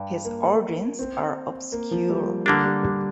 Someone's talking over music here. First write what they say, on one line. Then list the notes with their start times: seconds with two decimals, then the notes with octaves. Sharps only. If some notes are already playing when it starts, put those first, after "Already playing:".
His origins are obscure.
Already playing: G2
0.25 A#3
0.99 C4
1.72 A#3
1.91 F3
2.10 G3
2.46 D3 G3 A#3 D4
2.65 G3
2.83 G3